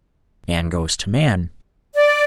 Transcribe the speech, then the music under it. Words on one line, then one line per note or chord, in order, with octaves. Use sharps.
Man goes to Man!
D5